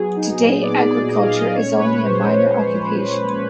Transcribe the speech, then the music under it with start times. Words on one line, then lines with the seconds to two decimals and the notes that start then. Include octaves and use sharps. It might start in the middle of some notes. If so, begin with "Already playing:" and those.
Today, agriculture is only a minor occupation.
Already playing: F#3 B3 G#4
0.16 D#4
0.39 A#2
0.62 B3 D5
0.86 F#3 D5
1.09 D#4 D#5
1.20 F5
1.32 A#2 D#5
1.44 D5
1.55 C#4 C#5
1.78 G#3 B4
2.02 F3 C5
2.25 F3
2.48 C#4